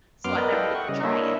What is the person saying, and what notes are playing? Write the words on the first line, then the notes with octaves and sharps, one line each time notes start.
so I never would, eh, try it.
F#2 B3 C6 D6 F6
A#4 B4 D5 D#5
E4 A4 B4 D#5 F5 G5
F#5 C#6
C#3 G3 D#5
A#3 D4 E4 C#5 D#5 E5